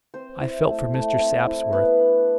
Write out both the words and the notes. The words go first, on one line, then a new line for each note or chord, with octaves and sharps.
I felt for Mr. Sapsworth.
C4 C5
E4
A3
A3
C4
E4
B3 B4
D4